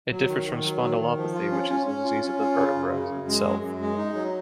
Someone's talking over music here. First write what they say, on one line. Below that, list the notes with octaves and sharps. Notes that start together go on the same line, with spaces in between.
It differs from spondylopathy, which is a disease of the vertebra itself.
F#3
D#3
D#3
F#3
D#3
D#3
F3
F4
C#4
C#4
C#4
F4
C#4
F4
C#3
F#2
C#3
F#2
G#3
F#2
F#2
G#3
D#4
F#3